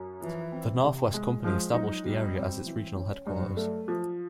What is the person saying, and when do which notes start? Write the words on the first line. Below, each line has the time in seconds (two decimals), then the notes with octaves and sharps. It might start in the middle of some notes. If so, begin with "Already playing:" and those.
The North West Company established the area as its regional headquarters.
Already playing: F#2
0.22 E3 F3
0.52 C4
0.83 C3
1.14 G#3
1.44 F3 G#3
1.74 F#3 D#4
2.04 B2 G3
2.36 C4
2.66 E3
2.96 C#4
3.27 G2 F#3
3.57 A3
3.88 F3